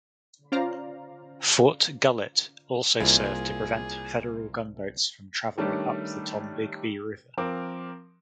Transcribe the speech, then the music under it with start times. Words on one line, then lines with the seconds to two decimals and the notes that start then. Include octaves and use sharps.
Fort Gullett also served to prevent Federal gunboats from traveling up the Tombigbee River.
0.52 C#4 F4 C5 D5 F5 A#5
3.00 C2 A#3 E4 F4 G#4
5.58 D#3 G3 A3 C#4 D4
7.38 F3 C4 A#4 D6